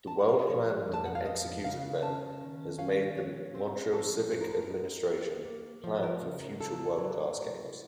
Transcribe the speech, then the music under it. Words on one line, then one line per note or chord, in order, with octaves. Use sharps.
The well-planned-and-executed event has made the Montreal civic administration plan for future world-class games.
A5
F#5
F5
D#5
F3 C#5
F2
A5
F#5
F5
F2 D#5
C#3 F5
C#4 A5
D#3
C#4 F5
C#4 C#5
C4 C5
F3 A4
F#2 C5
A#4
A4
A#4
D#4
A#3
A#3
F3 C5
A#4
C#3
A#4
F#3 A4
F#3
A2